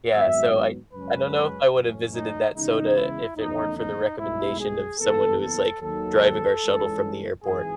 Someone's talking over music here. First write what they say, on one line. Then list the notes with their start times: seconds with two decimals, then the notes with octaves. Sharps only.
Yeah, so I I don't know if I would have visited that soda if it weren't for the recommendation of someone who is, like, driving our shuttle from the airport.
0.12 G#1 G#2 F#3 B3 E5
0.93 F#2 C#3 G#3 C#4 B4
1.74 F#1 F#2 E3 A3 C#4
2.15 D#4
2.55 E2 C#3 G#3 C#4 D#4
2.96 E4
3.36 F#1 E2 D#3 A3 C#4 D#4
3.78 D#4
4.19 B1 A2 G#3 E4
4.59 G#4
4.99 F#1 F#2 E3 B3 A4
5.41 A4
5.81 D#2 D#3 F#3 A4
6.63 G#2 E3 G#3 C#4
7.44 G#1 F#2 E3 G#4